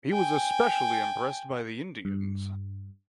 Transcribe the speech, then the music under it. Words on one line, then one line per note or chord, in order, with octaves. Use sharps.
He was especially impressed by the Indians.
G5 G#5
G2